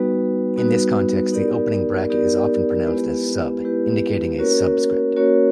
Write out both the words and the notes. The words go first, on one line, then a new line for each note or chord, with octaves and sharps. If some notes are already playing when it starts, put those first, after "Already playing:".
In this context, the opening bracket is often pronounced as "sub", indicating a "sub"script.
Already playing: G3 B3 D#4 F#4 B4
G3 B3 D#4 F#4 B4
B3 D#4 G4 A#4 D5
B3 D#4 G4 A#4 D5
G#3 B3 E4 G4 B4
G#3 B3 E4 G4 B4
A#3 C#4 F#4 A#4 C#5
A#3 C#4 F#4 A#4 C#5